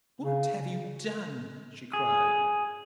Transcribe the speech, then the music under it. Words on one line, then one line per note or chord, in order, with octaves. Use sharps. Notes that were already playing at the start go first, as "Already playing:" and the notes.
'What have you done?' she cried.
C#3
G#4